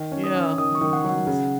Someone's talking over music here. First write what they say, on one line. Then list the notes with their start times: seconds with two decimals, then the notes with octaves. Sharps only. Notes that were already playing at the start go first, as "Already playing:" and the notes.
Yeah, oh my goodness.
Already playing: D#3
0.12 C#4
0.24 D#6
0.35 C#4
0.58 D#3 D#6
0.75 C#6
0.81 D#3
0.93 F#5
1.04 F#3 F#5
1.27 C#3